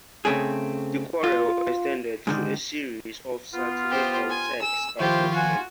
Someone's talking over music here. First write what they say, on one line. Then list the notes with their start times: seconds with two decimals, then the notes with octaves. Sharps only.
The quarrel extended to a series of satirical texts by both men.
0.25 C#3 A3 C4 G#4
1.24 F4
2.27 G#2 D3 D#3
3.54 B3 F4
3.90 G4 C5
4.30 G#5 C6
4.62 G#5 E6
4.99 D#3 F3 E4 F4 G4 C5 C#6
5.35 F4 F#4 F#5 G#5